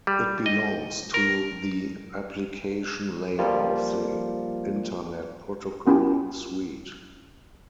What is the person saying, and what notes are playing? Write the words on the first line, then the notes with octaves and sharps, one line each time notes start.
It belongs to the application layer of the Internet protocol suite.
G3
D#5
A#4
F3 G3 A#3 F4
B3 C#4 E4 F4 G4 G5